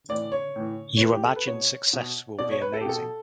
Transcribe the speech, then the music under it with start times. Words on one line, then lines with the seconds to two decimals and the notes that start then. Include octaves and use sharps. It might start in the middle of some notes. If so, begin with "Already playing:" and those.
You imagine success will be amazing.
0.09 A2 E3 D5
0.32 C#5
0.56 A2 E3
0.97 C#5
1.01 A2 E3 B4
1.12 G4
1.24 A4
1.36 B4
1.47 B2 C#5
1.93 B2
2.39 B2 D5
2.51 C#5
2.62 B4
2.74 A4
2.81 G4
2.86 B2 A4